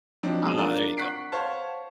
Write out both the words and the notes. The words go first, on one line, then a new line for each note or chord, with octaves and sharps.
Ah, there you
F3 F#3 C4 D4 D#4
B2 F#3 G#3
D4 F4 A#4 D5
F#5 C#6 F#6 B6 C7 D7
C5 C#5 F5 F#5 A5